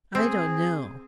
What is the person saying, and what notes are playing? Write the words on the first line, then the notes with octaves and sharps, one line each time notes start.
I don't know.
C4 G#4